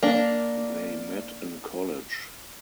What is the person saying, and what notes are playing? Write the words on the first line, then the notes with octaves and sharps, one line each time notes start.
They met in college.
A#3 D4